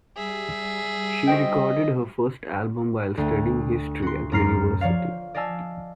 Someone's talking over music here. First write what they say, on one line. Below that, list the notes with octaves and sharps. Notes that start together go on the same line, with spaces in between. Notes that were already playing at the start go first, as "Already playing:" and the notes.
She recorded her first album while studying history at university.
G3 G#4 E5
F#4 C5 D#5 G5
D2 E5 G5 D#7
F#4 C6
F#2 F#3 A#5 F6 C7
F3 C#5 D5 F5
D5 D#5 F5 G#5 A5 E6